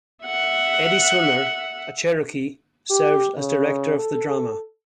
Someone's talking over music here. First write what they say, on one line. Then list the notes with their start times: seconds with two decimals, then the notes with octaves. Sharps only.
Eddie Swimmer, a Cherokee, serves as director of the drama.
0.25 E5 F#5
2.91 G4
3.37 C#3
3.98 A4